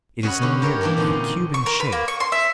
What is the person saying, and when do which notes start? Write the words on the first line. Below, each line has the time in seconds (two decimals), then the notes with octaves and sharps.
It is nearly a cube in shape.
0.23 C#4 F#4 C#5 D#5 F#5 B5
0.41 D3 C#4 G4 B4 C#5 C6
0.62 G4 A#4 C#5 E5 G5
0.81 E3 A#3 D4 G4 A#4
0.97 A#2 D3 C4 C#4 D#4
1.54 C#6
1.66 A#4
1.80 B4
1.92 A#3
2.08 C#6
2.20 C6
2.32 E5